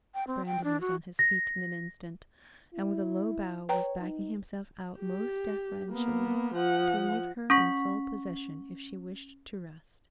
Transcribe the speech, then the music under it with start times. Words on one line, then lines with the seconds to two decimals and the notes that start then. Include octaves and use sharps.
Brandon was on his feet in an instant, and with a low bow was backing himself out most deferentially, to leave her in sole possession if she wished to rest.
0.14 G5
0.27 C4
0.46 G5
0.64 D4
0.81 F#4
1.19 A#6
2.74 E4
3.69 B4 C#5 G5 A#5
4.01 D#4
5.00 G4
5.91 A#3 B3
6.55 F3 F#5
7.50 C#4 C#6 B6